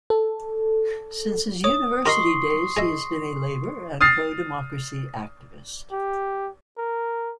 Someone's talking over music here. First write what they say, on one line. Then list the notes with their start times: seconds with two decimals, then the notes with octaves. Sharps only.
Since his university days, he has been a labour and pro-democracy activist.
0.10 A4
1.64 C#5 D#6
2.06 G4 A#4 D#5 C6 C#6 C7
2.77 G#4 D#5 E5
4.01 D#6 F6 A6 C7
5.91 G4
6.78 A#4